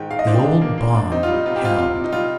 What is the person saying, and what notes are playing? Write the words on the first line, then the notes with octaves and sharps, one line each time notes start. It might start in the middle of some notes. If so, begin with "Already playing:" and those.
The old bond held.
Already playing: G#2 D#3 G5
G#2 F5
D#5
D4 C5
G4
D4
A#3
A#3
D4
C4 D#4
F4
G3
D#4
C3 F4
G4
C4 F4
C3 F4
C3
D#4
G3 F4